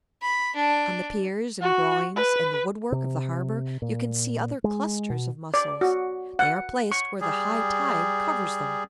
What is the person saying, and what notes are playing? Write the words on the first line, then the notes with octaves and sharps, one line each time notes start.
On the piers and groynes, and the woodwork of the harbour, you can see other clusters of Mussels; they are placed where the high tide covers them.
B5
D4
F#4
B4
C3
A#2
G#3
B2
D5
F#4
F#5
C#6
G3 G#4